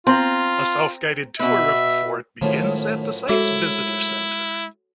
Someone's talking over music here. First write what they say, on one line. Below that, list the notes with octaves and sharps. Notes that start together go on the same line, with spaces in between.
A self-guided tour of the fort begins at the site's visitor center.
C4 F4 A#5
B2 B4 E5
F#2 A2 D#3 F3 A3
G#3 E4 F#4 A4 E5